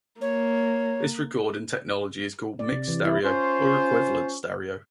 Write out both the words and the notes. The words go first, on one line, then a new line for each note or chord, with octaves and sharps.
This recording technology is called mixed stereo or equivalence stereo.
A#3 C#5
D5
C3
E3
E4
C#4 F4 C5